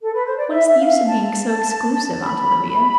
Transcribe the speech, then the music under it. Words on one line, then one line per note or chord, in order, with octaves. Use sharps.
What is the use of being so exclusive, Aunt Olivia?
A4
B4
C5
D5
E5
E5
F5
A5
B5